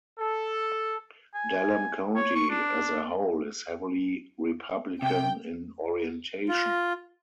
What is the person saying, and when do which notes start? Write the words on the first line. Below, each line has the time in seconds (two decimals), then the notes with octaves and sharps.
Dallam County as a whole is heavily Republican in orientation.
0.19 A4
1.34 G#5
2.16 C#5
2.36 C#6
2.50 D4
5.02 C3 G5
6.49 F4